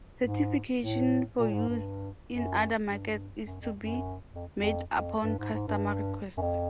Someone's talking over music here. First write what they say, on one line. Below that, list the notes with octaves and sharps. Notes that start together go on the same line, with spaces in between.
Certification for use in other markets is to be made upon customer request.
G#2
A2
A#2
A2
G#2
G2
F#2
G2
F#2
F2
F#2
F2
F2
F2
G2
G#2
G#2
G2
F#2
F2